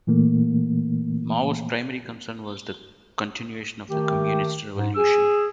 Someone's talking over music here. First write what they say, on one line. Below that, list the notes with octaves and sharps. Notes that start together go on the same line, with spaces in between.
Mao's primary concern was the continuation of the communist revolution.
A#2 E3 A3 A#3
D#3 A3 G4
G#2
G#4 E6